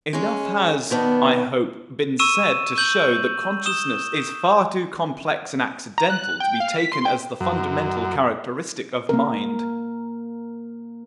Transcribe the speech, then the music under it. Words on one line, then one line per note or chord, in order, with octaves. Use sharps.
Enough has, I hope, been said to show that consciousness is far too complex and accidental to be taken as the fundamental characteristic of mind.
G#3 C#4
B2 D#3 B3 D4
C#6 E6 D#7 E7
G6 F#7
D#6 E7 G7
A#5
F#6
G5
F5
B6
C6
G5
F#2
A#3 A#4